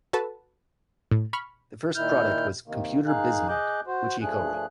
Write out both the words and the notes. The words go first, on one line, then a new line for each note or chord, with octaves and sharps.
The first product was "Computer Bismarck", which he co-wrote.
F#4 A4 B4 A5
A2
B5 C#6 F6
A#2 D#3 E4 F6 G6
D#2 C3 D#3 A#3
D#3 D#4 G#4 F5 F#6
G#4 D#5 D6 F#6 G6
F#4 C5
G2 F3 G3 A3 G#4 F#6